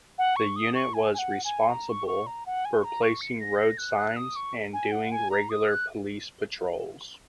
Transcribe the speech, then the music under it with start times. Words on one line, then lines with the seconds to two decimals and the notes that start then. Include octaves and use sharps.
The unit was responsible for placing road signs and doing regular police patrols.
0.18 F#5
0.36 C#6
0.56 D#6
0.75 C#6
0.94 G#5
1.14 G#5
1.18 F#5
1.45 G#5
1.69 A#5
1.89 C#6
2.08 C#6
2.27 A#5
2.46 F#5
2.65 G#5
2.79 C#6
2.84 A#5
3.02 C#6
3.21 C#7
3.40 A#6
3.59 A#6
3.78 F#6
3.98 F#6
4.16 D#6
4.36 C#6
4.73 G#5
4.92 F#5
5.12 G#5
5.31 A#5
5.50 D#6
5.69 F#6